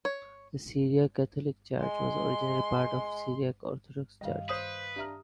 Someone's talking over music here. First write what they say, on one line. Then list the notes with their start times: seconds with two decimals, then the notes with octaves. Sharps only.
The Syriac Catholic Church was originally part of the Syriac Orthodox Church.
0.05 C#5
1.82 G#3 C6
4.21 G2 D#3 G3 D#5 F5
4.49 B4 C5 D#6
4.96 D4 G4 E5 A#5 F6